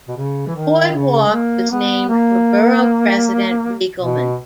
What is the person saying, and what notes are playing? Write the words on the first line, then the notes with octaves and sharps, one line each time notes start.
The boardwalk was named for Borough President Riegelmann.
B2
C#3
E3
D#3
C#3
G#3
A#3
B3
A#3
B2